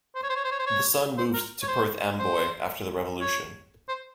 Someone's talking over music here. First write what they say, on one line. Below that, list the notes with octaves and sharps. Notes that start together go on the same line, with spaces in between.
The son moved to Perth Amboy after the Revolution.
C5
C#5
C5
C#5
C5
C#5
C5
C#5
C5
A#4
C#5
C5
C5
C#5
C5